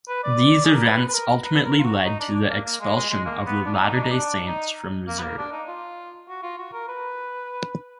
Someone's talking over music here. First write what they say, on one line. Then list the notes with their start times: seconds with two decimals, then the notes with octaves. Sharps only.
These events ultimately led to the expulsion of the Latter Day Saints from Missouri.
0.09 B4
0.23 D5
0.65 G#4
0.75 A#4
0.84 B4
1.08 B4
1.14 A#4
1.44 B4
1.65 A#4
1.79 F4
1.85 F#4
2.05 D#4
2.20 D4
2.35 D4
2.50 A#3
2.66 A#3
2.80 G#3
2.96 G#3
3.10 G#3
3.26 A#3
3.46 B3
3.66 D4
3.74 D#4
3.81 D4
3.88 D#4
3.95 D4
4.03 D#4
4.11 D4
4.47 D#4
5.08 A#3
5.18 B3
5.23 A#3
5.38 D4
5.52 D#4
5.68 F4
6.29 F#4
6.43 F4
6.59 F#4
6.73 A#4
6.88 B4